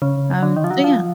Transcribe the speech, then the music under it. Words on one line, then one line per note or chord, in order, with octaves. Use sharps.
Um, so yeah.
C#3
D3
D#3
F3
F#3
F3